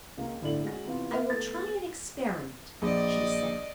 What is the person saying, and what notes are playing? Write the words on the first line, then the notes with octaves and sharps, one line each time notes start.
"I will try an experiment," she said.
C#2 A#3
G1 A2 D3 E4 D5 F#7
G#3 C#4 F#4 A#6
C3 E3 B3 F4
A#3 A#4 E5
A3 B3 B4 A6
A#1 D5 D#5